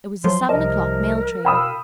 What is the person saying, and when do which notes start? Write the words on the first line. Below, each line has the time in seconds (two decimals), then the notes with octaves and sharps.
It was the seven o'clock mail train.
0.24 F3 F#3 C6
0.49 C2 C3 F3 A#4 D#5 A5
1.45 B2 F5 G5 B5 D#6 E6